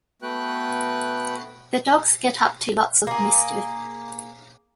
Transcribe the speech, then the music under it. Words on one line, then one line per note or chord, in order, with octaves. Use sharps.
The dogs get up to lots of mischief.
A3 B3 F#4 B4 G5 F#6
A#3 G#4